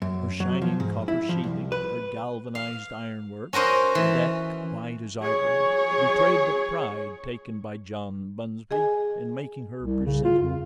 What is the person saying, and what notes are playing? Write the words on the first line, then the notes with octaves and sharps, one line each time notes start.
Her shining copper sheathing, her galvanised iron-work, her deck, white as ivory, betrayed the pride taken by John Bunsby in making her presentable.
F#2
F#3
F3
G#2
E4
F3
C2
B4
F5
C#4 F#4 A#4 C5 D#5
E3
G#4 C#5
G#4 D#5 G#5
C2
C#3
F4
F2